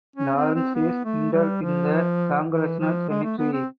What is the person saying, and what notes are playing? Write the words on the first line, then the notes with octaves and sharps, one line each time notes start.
Lawrence is interred in the Congressional Cemetery.
C#4
C4
C4
B3
A3
G3
F3
E3
F3
G#3
A3
B3
C4